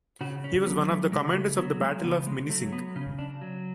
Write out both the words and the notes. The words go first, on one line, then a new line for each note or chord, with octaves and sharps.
He was one of the commanders of the Battle of Minisink.
C#3 F#4
C#4
F#3 B3
A3
C#3 G#3
A3
F#3 B3
G#3
C#3 B3
G#3
F#3 A3
B3
C#3 C#4
D4
F#3